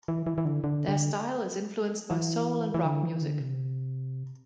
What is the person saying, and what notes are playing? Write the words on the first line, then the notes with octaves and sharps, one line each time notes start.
Their style is influenced by soul and rock music.
E3
E3
E3
D3
D3
D3
E3
E3
D3
E3
D3
C3